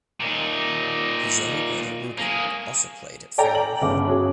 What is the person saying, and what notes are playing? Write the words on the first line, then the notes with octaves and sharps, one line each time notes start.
His younger brother Ruben also played at Ferro.
A#2 D#4
A#3 G#4
A4 D5 G5 G#5 A#5
F#7
G1 C#3 D6
C#4 F#4 G#4